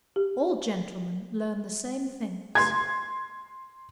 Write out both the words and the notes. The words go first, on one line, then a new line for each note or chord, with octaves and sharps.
"All gentlemen learn the same things."
G4
C6 G#6